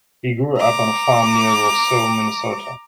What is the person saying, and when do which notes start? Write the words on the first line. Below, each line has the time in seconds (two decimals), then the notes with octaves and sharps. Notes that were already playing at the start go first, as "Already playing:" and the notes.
He grew up on a farm near Roseau, Minnesota.
0.58 A#5 D6